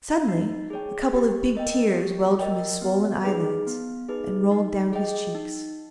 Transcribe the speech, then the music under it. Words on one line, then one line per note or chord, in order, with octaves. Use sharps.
Suddenly a couple of big tears welled from his swollen eyelids, and rolled down his cheeks.
D#4
G#4 C#5 G5
G4
A#4 D#5 G5
G4
A#4 D#5 G5
B3
D#4 G#4 B4
B3
D#4 G#4 B4
D#4
G#4 D#5 G5
D#4